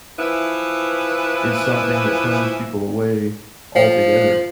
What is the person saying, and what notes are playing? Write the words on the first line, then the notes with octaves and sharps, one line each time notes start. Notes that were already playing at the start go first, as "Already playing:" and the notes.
is something that turns people away altogether.
E3 F3 E4 B4
F3